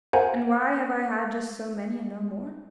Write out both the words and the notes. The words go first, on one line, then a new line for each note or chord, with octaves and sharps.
And why have I had just so many and no more?
A#4 C5 F5 F#5 G#5 A#5